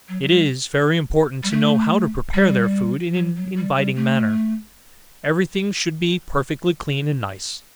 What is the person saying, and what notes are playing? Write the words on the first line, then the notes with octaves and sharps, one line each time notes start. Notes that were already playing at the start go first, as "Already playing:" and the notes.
It is very important to know how to prepare their food in an inviting manner; every thing should be perfectly clean and nice.
F#3
F#3
G3
G3
A3
G3
F#3
F#3
G3
G3
A3